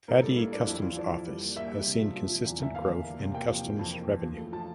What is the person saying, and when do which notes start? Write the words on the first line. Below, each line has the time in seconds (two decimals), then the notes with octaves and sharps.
Thadi Customs Office has seen consistent growth in customs revenue.
0.08 A2 A#4
0.22 G3 A4
0.37 A#3 E4
0.52 A#3 D4
0.67 F2 E4
0.82 E3 F4
0.97 F2 D5
1.12 F2
1.26 G3
1.41 A#3
1.56 A#3 E5
1.71 G3
1.86 C3
2.01 F3
2.16 F3
2.30 F3
2.45 E2
2.60 E2 E5
2.75 A#3 F5
2.90 E2
3.05 A#3
3.20 C3
3.34 A#3 G5
3.49 F3
3.64 E3
3.79 F2
3.94 A#3
4.09 E3
4.23 F3
4.38 A3
4.53 F3 A5